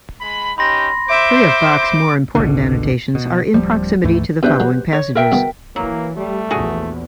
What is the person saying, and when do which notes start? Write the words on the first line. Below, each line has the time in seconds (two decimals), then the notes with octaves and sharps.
Three of Bach's more important annotations are in proximity to the following passages.
0.21 G#3 B5
0.58 C#4 D#4 G4 B5 C6 A#6
1.09 C5 E5 D6
2.35 G#1 C#2 B2 D3
3.15 B2
3.54 D1 C2 F3 G3
4.04 D2 G#2 E3 A3
4.43 B2 D4 E4 G4 B4 C5
4.60 F#3 G#3
4.93 C#5
5.15 A#4 E5 G5
5.32 B2 G#3 B3
5.76 E3 F#3 A#3
6.17 G3 A3
6.51 A#1 E2 F#4 G#4